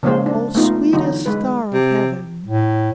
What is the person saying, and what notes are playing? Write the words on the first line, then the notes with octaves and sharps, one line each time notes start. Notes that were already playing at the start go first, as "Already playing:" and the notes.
O sweetest Star of Heaven!
C#3 F3 G#3 A#3 C#4 C5
D4
A3 B3 D#4 F4
D3 E3 F#3 D#4
G#3 B4
C3
A2